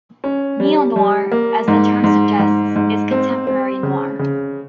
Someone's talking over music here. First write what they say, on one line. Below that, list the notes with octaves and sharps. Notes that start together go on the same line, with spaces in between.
Neo-noir, as the term suggests, is contemporary noir.
C#4
G3
G3
A#3
G#2
G#2
G#2
G#2
C4
C4
C#3
C#3